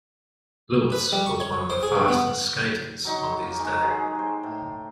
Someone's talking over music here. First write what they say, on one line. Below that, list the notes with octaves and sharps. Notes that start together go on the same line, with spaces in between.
Lewis was one of the fastest skaters of his day.
B4
G3
C#6
C#5
C5
G#4
G2
B3
F#3 D#4 C#5
A#3
D#3 G#3 A#5
F#3 G#3 G#4
G4 C5
A2